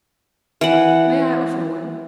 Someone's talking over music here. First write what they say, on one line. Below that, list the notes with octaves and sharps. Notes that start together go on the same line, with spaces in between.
"May I offer one?"
E3 F#5